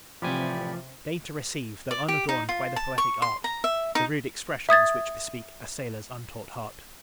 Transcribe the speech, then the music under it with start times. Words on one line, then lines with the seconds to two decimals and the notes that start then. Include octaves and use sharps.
Deign to receive, though unadorn'd By the poetic art, The rude expressions which bespeak A Sailor's untaught heart!
0.22 A2 C3 E3 F3 G4 D5 G#5 B5
1.91 D5
2.08 G4
2.29 D#4
2.49 F4
2.76 A5
2.98 C#6
3.22 C6
3.44 A#5
3.64 E5
3.95 D#4
4.69 E5 D#6 G#6 A6